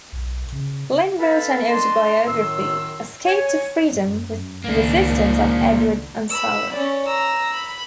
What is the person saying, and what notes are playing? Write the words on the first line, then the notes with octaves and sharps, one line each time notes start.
Lynn wrote an autobiography, "Escape to Freedom", with the assistance of Edward Ansara.
B1
C#3
A4 B4 F5 G#5 A5 B5
D4 D#5 A5 C6
F#2 A2 D#3 C6 E6
C#5 G#5
F#2
C#2 D#3 A#3 D4
B5 E6
C#4 D5
A#5 E6
B5